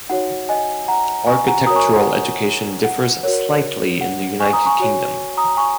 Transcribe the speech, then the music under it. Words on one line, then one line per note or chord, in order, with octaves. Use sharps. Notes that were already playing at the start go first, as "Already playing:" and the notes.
Architectural education differs slightly in the United Kingdom.
D#4 F#4 C#5 F#5
D#5 G#5
F#5 A#5
G#5 C#6
F#5 A#5
F#4 A#4 C#5 A#5 D#6
G#5 C#6
F#5
F#5
F#4 A#4 C#5
F#5
G#5 C#6
A#5 D#6
G#5 C#6
F#4 C#5
A#5 D#6
G#5 C#6